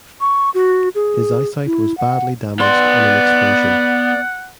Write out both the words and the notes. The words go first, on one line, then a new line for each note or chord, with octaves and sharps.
His eyesight was badly damaged in an explosion.
C#6
F#4
G#4
E4
F#5
B3 D5 F#5 C6